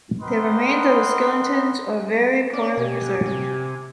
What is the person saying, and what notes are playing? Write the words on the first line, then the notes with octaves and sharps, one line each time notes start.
The remains of the skeletons are very poorly preserved.
C4 A#4 B4 D#5 F#5 C6
B3 C#4 D5 D6
B2 G4 G#5
C3